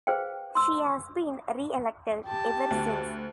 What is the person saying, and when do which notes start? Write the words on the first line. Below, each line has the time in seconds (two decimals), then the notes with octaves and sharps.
She has been reelected ever since.
0.07 G#4 B4 C5 F5 G5
0.55 C6 E6
2.26 G4 A5
2.71 D2